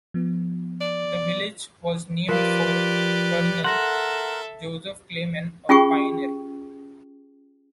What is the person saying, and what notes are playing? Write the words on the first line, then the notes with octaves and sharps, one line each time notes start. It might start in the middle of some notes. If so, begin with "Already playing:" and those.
The village was named for Colonel Joseph Clyman, a pioneer.
F3 B3
D5
F3 G4 A#4 B4 D5 F5
A4 A#4 E5 F#5 C6 A#6
C#4 F4 G4 G#4 G5 C#6